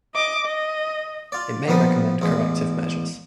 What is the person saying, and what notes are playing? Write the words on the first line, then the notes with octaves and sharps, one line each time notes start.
It may recommend corrective measures.
D#5 D6
D#5
F4 D5
A#1 F3 G3 B3 A#4 D#6
A1 E2 G#3